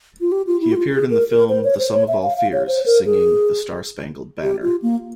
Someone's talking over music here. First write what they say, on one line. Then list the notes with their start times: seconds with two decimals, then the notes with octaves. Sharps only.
He appeared in the film "The Sum of All Fears" singing "The Star-Spangled Banner".
0.21 F4
0.32 G4
0.47 F4
0.61 E4
0.72 G4
0.76 F4
0.91 G#4
1.10 A#4
1.30 A#4
1.49 C5
1.64 C#5
1.79 C5
1.93 C#5
2.08 E5
2.23 F5
2.37 F5
2.52 C#5
2.67 C5
2.86 A#4
3.06 G#4
4.42 G4
4.62 F4
4.82 A#3